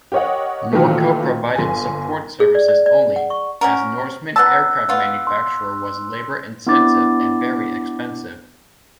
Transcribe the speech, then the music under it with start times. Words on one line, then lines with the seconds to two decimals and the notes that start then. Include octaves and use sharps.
Norco provided support services only, as Norseman aircraft manufacture was labor-intensive and very expensive.
0.12 G4 A#4 C#5 D#5 F#5
0.73 A#2 D#3 E3 F#3 A3
1.55 G1 G#5
2.40 G#4
2.55 D5
2.68 D5
2.86 D5
3.16 F#5
3.30 C#6
3.61 C#4 F#4 A#4
4.36 F#3 B3 A5 E6 F#6
4.89 B3 F4
5.27 C6
6.67 B3 D4 E4 D6 A6